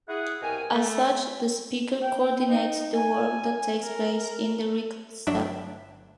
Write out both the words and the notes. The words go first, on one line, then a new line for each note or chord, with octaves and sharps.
As such the speaker coordinates the work that takes place in the Riksdag.
E4 G#4 F#5
C2 B2 A#4 G5 G#5
A3
G5
D#4
G#5
A#4
G1 F#3 D4 E5